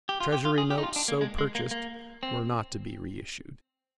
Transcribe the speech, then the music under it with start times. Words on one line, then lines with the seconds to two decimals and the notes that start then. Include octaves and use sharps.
Treasury notes so purchased were not to be reissued.
0.09 G4
0.20 F4
0.32 G4
0.45 F4
0.58 G#4
0.70 G4
0.78 D#4
0.83 F4
0.96 D4
1.08 A#3
1.21 G#3
1.38 G#3
1.55 A#3
1.71 A#3
2.23 C4